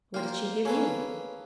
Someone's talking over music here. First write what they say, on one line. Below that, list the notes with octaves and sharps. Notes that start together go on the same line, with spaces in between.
'What did she give you?'
A#3 C5 F5 G5
A#3 C#4 G#4 A4 B4